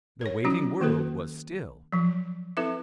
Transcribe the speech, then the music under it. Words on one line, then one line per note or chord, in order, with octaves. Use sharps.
"The waiting world was still."
A#4 C#5
F#3 C#4 E4 F#4
D#3 A#3 F#4 A4 B4
F3 F#3
C4 E4 A4 B4 E5